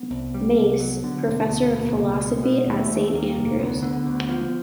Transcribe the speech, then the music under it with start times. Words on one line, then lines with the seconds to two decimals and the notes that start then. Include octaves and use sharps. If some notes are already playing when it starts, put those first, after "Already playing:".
Mace, professor in philosophy at Saint Andrews.
Already playing: B3
0.11 C2
0.34 G3
0.57 C2
0.80 F#3
1.04 D3
1.27 E1
1.50 D2
1.73 B2 A#3
1.97 C#2
2.20 B2 G#3
2.43 B2
2.66 D#2 A3
2.90 D#2
3.12 D#2 A#3
3.36 F1
3.59 D2 C4
3.65 B3
3.83 D3
4.06 D2
4.29 F3